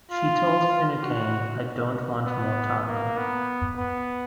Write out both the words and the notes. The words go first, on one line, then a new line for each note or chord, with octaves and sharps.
She told Finucane, I don't want more time.
F4
F#4
B3
A#3
B3
B3